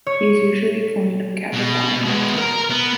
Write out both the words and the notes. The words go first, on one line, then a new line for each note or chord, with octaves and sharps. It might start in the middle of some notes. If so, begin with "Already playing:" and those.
He is a usual client of Cabify.
C#5
B2
G#3 B3
A#4 A#5
B3